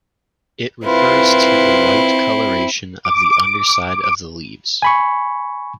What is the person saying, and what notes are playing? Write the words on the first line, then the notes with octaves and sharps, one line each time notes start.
It refers to the white colouration of the underside of the leaves.
C2 C4 E4 F4 B4
D6
G#5 B5 C#6